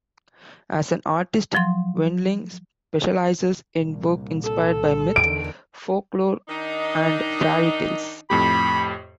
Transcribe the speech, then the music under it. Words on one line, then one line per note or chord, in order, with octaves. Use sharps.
As an artist, Windling specializes in work inspired by myth, folklore, and fairy tales.
F3 F#3 C6
C2 A#2
A4
E2 D3 D#3 D7
D#3 D4 D#4
F2 A2 G4 B5